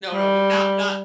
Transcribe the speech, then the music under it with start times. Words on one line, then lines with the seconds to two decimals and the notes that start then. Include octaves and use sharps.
No, no, w not not
0.12 G3